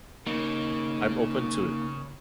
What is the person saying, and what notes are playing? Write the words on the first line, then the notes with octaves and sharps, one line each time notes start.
I'm open to it.
C#3 A#3 D#4